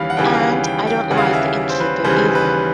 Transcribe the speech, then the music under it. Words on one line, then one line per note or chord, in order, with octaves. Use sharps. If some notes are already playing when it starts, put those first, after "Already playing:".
And I don't like the innkeeper either.
Already playing: D#2 C#3 E3 G3 F5 B5
F#5
D#2 C#3 E3 G3 G5
F5
F#5
G5
G5
D#2 C#3 E3 G3 F#5
F5
F#5
E5
C5
B4
D#2 C#3 E3 G3 C5
B4